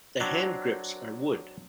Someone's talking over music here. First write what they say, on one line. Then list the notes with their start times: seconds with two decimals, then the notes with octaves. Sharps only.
The handgrips are wood.
0.20 F#3 C4 D4